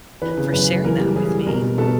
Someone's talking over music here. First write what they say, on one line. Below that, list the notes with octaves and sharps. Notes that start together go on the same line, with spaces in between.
for sharing that with me.
E3 B4
C#3
F#2 B4
F#2
E3 A#4
G3
E3 G#4
G3
B2 A#4
B2
B2 A4